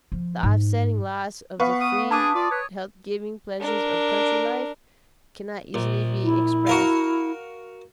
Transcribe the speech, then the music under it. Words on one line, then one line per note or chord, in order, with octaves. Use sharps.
The offsetting loss of the free health-giving pleasures of country life cannot easily be expressed.
F3
G#2
B3 B4 F5 C#6
D#6
D4 G#4 A5 D6 D#6
F4 D5
B4 C#5
D4 A#4
A#1
E4
F#4 A#4 F5